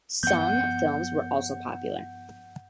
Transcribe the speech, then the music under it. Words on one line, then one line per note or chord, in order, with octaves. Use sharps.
"Sung" films were also popular.
G2 F3 B3 F#5 G6